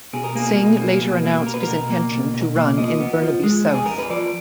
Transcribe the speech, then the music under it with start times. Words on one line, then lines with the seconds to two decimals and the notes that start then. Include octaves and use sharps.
Singh later announced his intention to run in Burnaby South.
0.13 B2 G#4
0.24 A#4
0.35 A#3 G#4
0.57 B2
0.80 A#3
1.02 B2
1.24 A#3
1.46 B2 A#4
1.54 B4
1.63 B2 A#4
1.90 A#3
2.12 B2
2.34 B2
2.56 A#3
2.77 F3 D#5
3.00 B3
3.22 F3
3.43 G#3
3.66 F2
3.74 G#4
3.86 F2 A#4
3.98 B4
4.10 F3 D5